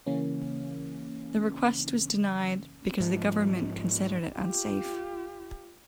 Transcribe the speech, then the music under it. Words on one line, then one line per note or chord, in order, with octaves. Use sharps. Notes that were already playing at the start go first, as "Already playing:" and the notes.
The request was denied because the government considered it unsafe.
C#3 E3 A#3 C#4
G#2 F3
F4 G4